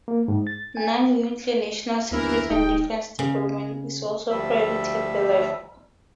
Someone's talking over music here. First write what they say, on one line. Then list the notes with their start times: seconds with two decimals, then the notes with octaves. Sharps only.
Non-nuclear national security and defense development is also a priority at the lab.
0.08 A#3
0.28 G#2
0.47 A6
0.77 G#5
2.11 G1 D#2 E3 E4 A#4
2.50 D1 G#2 D#4 G5
3.19 C#3
4.30 D2 F3 G3 E5